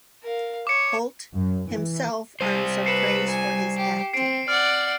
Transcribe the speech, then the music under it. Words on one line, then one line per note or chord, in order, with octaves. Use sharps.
Hoult himself earned some praise for his acting.
A#4 F5
C#5 D6 C#7
F#2
E3
G3 C5
B4 C7 C#7 E7
G#5
G4
C4 C7 D7
D5 F#5 F6